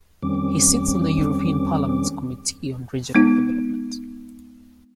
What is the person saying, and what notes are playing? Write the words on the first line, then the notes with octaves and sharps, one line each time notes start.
He sits on the European Parliament's Committee on Regional Development.
F2 D#3 G3 C4 C#4 D6
G#3 B3 D#4